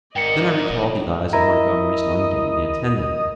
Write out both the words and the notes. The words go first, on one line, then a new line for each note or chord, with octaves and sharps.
Then I recalled the eyes of Montgomery's ungainly attendant.
G#1 G#2 A#4 D5 D#5 G5 C#7
E4 A#4 D#5 A#5